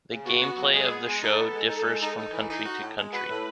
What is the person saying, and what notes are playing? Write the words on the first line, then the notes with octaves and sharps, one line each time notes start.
The gameplay of the show differs from country to country.
C#3
B3 F#4
B3
F#3
G#3 G#4
B3
G#3
D#4 A4
B3
G#3
D#4
G#3
D#4
D#4
E3
D#4
F#4
A2
G#3
F#4 B4
A2